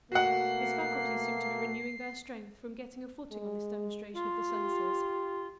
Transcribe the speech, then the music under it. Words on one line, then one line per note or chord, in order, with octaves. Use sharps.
His faculties seemed to be renewing their strength from getting a footing on this demonstration of the senses.
B2 A3 A#3 F#4 F#5 C7
G#3
F4
G4